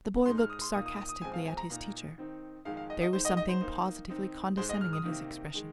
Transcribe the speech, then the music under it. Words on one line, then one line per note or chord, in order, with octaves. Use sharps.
The boy looked sarcastically at his teacher. There was something positively condescending in his expression.
G#2 G#3 D#4 C6
F6
D#6
C6
A#2 A#3 D#4 D#6
D#6
D#6
D#6
G#2 F3 G#3 C4 G#5
F5
G#5
A#5
A#2 A#3 D#4
D#3 C4 D#4
F2 D#3 G#3 D#4 F5
F5
D#5
D#5
D#3 G#3 D#4 C5
D#5
D#5
C5
D#3 A#3 D#4
D#3 C4 D#4
G#2 G#3 D#4 C5
D#5
F6
D#6
C3 D#3 A#3 D#4
D#3 G#3